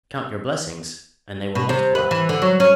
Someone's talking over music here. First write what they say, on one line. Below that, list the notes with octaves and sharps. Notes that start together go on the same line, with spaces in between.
"Count your blessings" and they will multiply.
B2
C3
B4
E3
D3
F#3
C#4